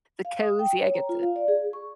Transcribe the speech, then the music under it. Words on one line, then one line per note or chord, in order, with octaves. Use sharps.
The cozy. I get the
F5
D#6
G5
C#5
A#5
F4
F5
D5
G#4
C#6